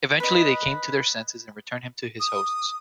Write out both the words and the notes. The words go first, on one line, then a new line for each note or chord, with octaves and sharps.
Eventually they came to their senses and returned him to his hosts.
B4 D#5
D#6